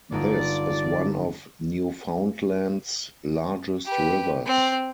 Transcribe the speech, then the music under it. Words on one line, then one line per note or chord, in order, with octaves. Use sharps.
This is one of Newfoundland's largest rivers.
G1 D#4 F4 D5
G4 B4
C4